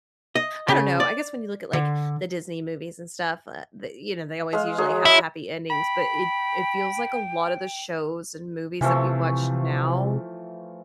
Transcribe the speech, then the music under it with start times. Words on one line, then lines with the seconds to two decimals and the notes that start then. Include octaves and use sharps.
I don't know, I guess when you look at, like, the Disney movies and stuff, uh, the you know, they always usually have happy endings, but it it feels like a lotta the shows and movies that we watch now,
0.35 D#5
0.68 C#3
1.00 D5
1.73 D3
4.53 G#3 F5
4.78 F#3 G#3 G#4
5.05 E4
5.70 G5 B5
8.81 C3 E3 F3 A3